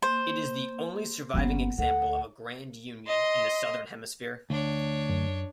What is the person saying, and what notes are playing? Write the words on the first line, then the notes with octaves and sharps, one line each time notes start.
It is the only surviving example of a grand union in the southern hemisphere.
A#3 C5
G1 A#3 B3 C#4 F#5
D2 A4 F#5
D#5 C6
D2 D4 C#5
F#2